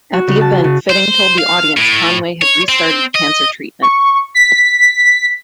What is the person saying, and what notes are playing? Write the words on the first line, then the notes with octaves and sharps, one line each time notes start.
At the event Fitting told the audience Conway had restarted cancer treatment.
F#4
C#3
A5
C#3
C5
F5
A2
C#5
C4
D#5
C#6
B6